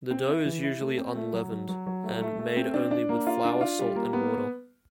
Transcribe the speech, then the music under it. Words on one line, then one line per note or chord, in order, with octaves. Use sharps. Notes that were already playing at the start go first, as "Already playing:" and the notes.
The dough is usually unleavened, and made only with flour, salt and water.
C4
E4
E3
E4
A3
C4
A3
F#3
F#3
F#3
F#3
A3
A3
A3
C4
D4
D4
A#3
F4
D4
F4
G3
A#3
B3